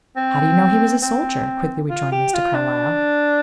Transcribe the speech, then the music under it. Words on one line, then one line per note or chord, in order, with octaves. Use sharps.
"How do you know he was a soldier?" quickly rejoined Mr. Carlyle.
C4
C4
F4
G4
F4
D4